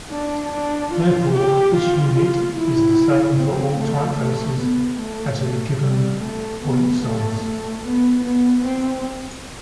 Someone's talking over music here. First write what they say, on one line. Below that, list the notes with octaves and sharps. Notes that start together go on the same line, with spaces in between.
Therefore, this unit is the same for all typefaces at a given point size.
D4
D4
F4
G4
F4
F4
E4
C4
A3
A3
B3
A3
A3
G3
A3
B3
A3
A3
B3
B3
C4